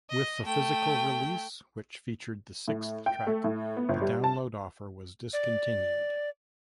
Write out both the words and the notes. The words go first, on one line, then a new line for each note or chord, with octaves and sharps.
With the physical release, which featured the sixth track, the download offer was discontinued.
D#5
A3 G5
A2
G5
A3
A2
B3
G1
G3
A5
D5